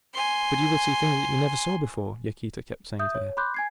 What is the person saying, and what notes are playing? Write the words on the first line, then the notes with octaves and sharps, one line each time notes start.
"But you will see things that you never saw before," Yaquita kept saying to her.
G#5 C6
E5 D#6 G6
C#5
B5 C6 D6 F#6 G6
G#5 G#6 C7